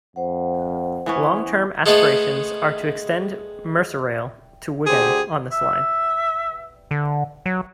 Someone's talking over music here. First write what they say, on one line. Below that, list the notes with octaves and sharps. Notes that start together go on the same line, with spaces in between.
Long term aspirations are to extend Merseyrail to Wigan on this line.
F2 C5 F#5
E3 B3 C#4
G#3 A3 B3 A4
D2 G4 G#4 C5
E5
D3
F#3